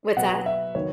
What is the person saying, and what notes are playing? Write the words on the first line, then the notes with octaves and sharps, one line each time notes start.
what's that?
B2 F#3 B3 F#5
E5
D#3 F#3 B3 C#5